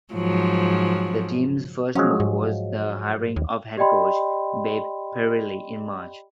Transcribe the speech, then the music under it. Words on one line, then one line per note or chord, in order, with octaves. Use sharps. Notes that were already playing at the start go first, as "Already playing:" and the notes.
The team's first move was the hiring of Head Coach, Babe Parilli in March.
G#2 F3 F#3
F3 F#3 G#3 C#4
G#2
D#2
G4 D5 D#5 G5 B5 C6